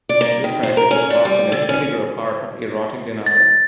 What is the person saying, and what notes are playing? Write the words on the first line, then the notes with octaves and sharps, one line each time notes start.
This practice is often an integral part of erotic denial.
D5
A#3
D#3
C5
A#4
C#4
D4
G3
D3
C#4
A6